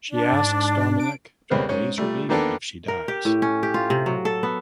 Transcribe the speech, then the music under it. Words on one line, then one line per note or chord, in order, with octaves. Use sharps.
She asks Dominick to raise her baby if she dies.
D4
G#2
D7
C2 C#3 B3 C4 A#4
G#2 C#4
A#2 G3 A3
D#3 A#3 B3 D4 A4 A#4
A#4
G4
A2
C#4
G4
F4
C3
F#3
A4
B3